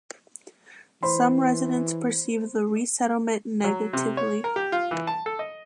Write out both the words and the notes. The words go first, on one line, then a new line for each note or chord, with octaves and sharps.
Some residents perceived the resettlement negatively.
E3 C5 B5 C6
F#3
C3
C#5
A#4
G4
F4
E3
A5
A4
D#5